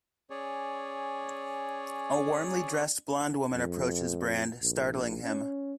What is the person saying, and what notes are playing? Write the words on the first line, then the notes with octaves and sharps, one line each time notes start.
A warmly-dressed blonde woman approaches Brand, startling him.
C#4 G#4 C#5 D5
F2
A#1
C#4